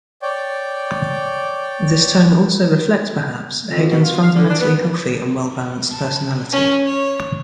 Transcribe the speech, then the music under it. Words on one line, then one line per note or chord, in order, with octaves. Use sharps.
This tone also reflects, perhaps, Haydn's fundamentally healthy and well-balanced personality.
C#5 D5 G5
F2
B2
F4
F5
D3
D4
B3
A5
C#4
C#5